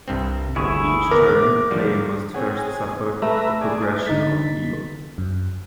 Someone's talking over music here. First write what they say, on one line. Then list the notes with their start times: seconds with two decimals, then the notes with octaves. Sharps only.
Each turn a player must first suffer the "progression of evil".
0.08 C2 G2 C4
0.56 G1 D2 E4 G#4 C#6
1.11 E2 D3 B3 A#4 D6
1.71 D3 F3 G3
2.34 C4 G#4 C#5 F#5
3.22 A3 B4 E5 A#5
3.61 G#4 D5
4.06 D3 D#4 A6 B6
5.18 F#2